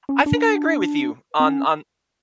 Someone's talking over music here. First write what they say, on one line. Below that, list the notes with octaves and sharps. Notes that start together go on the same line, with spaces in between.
I think I agree with you on on
C#4
D4
C4
C#4